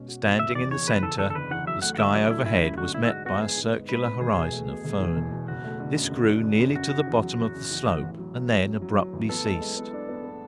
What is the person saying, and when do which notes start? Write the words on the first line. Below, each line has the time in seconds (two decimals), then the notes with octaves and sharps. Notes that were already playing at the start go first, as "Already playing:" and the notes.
Standing in the centre, the sky overhead was met by a circular horizon of fern: this grew nearly to the bottom of the slope and then abruptly ceased.
Already playing: B2 G#3 C#4
0.08 F#4
0.24 B2
0.39 F#1 E5
0.55 E2 D5
0.71 E2 C#5
0.87 F#1 B4
1.03 E2 A4
1.19 D3 A4
1.30 A4
1.35 F#1 B4
1.51 E2 F#5
1.67 F#3 E5
1.82 A3 F#5
1.95 F#5
1.98 D3 E5
2.14 F#3 D5
2.30 A3 E4
2.46 A3 E4
2.62 F#2 E4
2.78 D3 F#4
2.94 G#2 E4
3.05 E4
3.09 G#3 F#4
3.25 B3 F#4
3.41 G#3 G#4
3.57 G#2
3.73 G#3
3.89 G#2 B4
4.05 B3
4.21 E1 G#4
4.37 B2
4.53 A3
4.68 B2
4.84 E1
5.00 E2
5.16 E1
5.32 B2
5.48 F#1 F#4
5.64 A3
5.80 D3
5.96 F#2
6.11 D3
6.27 D3
6.43 D3
6.59 F#2
6.75 C#3 F#4
6.91 C#3
7.07 E2
7.23 F#3
7.39 F#3
7.55 C#3
7.71 E2
7.86 E2
8.03 A1
8.18 F#3
8.34 F#3
8.50 C#4
8.66 F#3
8.82 F#3
8.98 F#3
9.13 A1
9.29 B3 A4
9.45 G#3
9.61 G#3
9.77 B3
9.93 D4
10.09 B3
10.24 B3